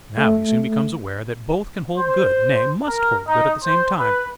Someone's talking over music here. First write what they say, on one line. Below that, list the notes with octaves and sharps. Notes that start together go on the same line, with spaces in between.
Now he soon becomes aware that both can hold good, nay, must hold good at the same time.
A3
C5
A#4
D#4
C5
B4